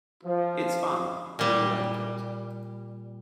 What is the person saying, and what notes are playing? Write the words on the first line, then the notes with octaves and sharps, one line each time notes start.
It's fun; you'll like it.
F3
A#2 G3